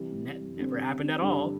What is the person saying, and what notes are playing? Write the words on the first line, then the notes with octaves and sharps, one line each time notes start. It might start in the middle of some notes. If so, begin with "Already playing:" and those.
ne never happened at all,
Already playing: C3 E3 G3
D3 G3 C4
G2 D3 G3